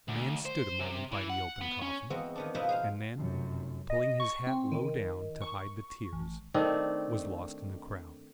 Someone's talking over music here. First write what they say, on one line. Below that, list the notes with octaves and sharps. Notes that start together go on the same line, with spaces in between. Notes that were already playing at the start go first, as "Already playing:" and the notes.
The man stood a moment by the open coffin, and then, pulling his hat low down to hide the tears, was lost in the crowd.
D2
C5
C3
E3
F#5
B3
C#4
E2 G#3 B3 C4 F#4
D#3 B3 D4
B2 F3 D#4 B4 E5 B5
G#4 C5 F5
F1 F#2 C3
D#5
C#6
C4
D#3
C#6
A1
D#3 A3 C4 D4